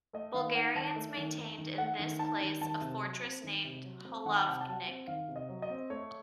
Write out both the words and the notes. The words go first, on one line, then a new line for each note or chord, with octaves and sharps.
Bulgarians maintained in this place a fortress named "Holavnik".
A3 D#5
D#3 F5
D#4 F#5
D#3 A5
A3
D#3
D#4
D#3
A3 F#5
D#3
D#4 A5
D#3
D#3 A5
C3
F#3
C4
D#3
C3
F#3
C4
D#3 F#5
A5
C3 F#5
A5
F#3
F#5
C4
D#3 F5
C3
D#5
F#3
D#5
C4
A3 C#5